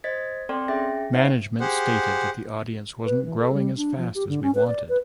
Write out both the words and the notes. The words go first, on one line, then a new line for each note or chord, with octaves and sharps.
Management stated the audience wasn't growing as fast as we wanted.
C5 D#5 G#6 A6 B6
C4 A4 D5 G5 C6
C#4 G#4 E5 G5 A6 A#6
D#4 C5 E5 F#5 C7
G4 G#4 C5 F#5
B4
E3
A4
G3
D4
F3
G4
D3
C#4
B4
D5
B4